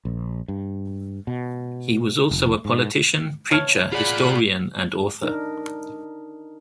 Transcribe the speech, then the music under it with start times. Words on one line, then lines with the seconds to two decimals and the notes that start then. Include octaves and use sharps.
He was also a politician, preacher, historian and author.
0.05 A#1
0.48 G2
1.27 B2
2.31 F1
2.65 G#2
3.50 E2 C#3 C#5 A5 F6 G#6
3.92 F4 G#4 D5 F#5 B5 F#6
5.22 D4 D#4 A#4